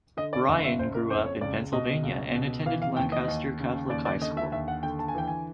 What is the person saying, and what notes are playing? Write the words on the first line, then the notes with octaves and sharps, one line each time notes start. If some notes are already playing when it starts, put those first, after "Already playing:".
Ryan grew up in Pennsylvania and attended Lancaster Catholic High School.
D3 D#5
D5
F#1 D#5
E5
F#1 C5
A#4
F2 C5
C#5
C#2 D5
B2 D#5
C#2
B2
E3 F5
F5
D#2 G5
D#5
D#2
C#3
D#2 D5
D5
D3 D#5
E5
D#2 E5
F#5
D3 G5
A5
G#5
E3 G5
G#5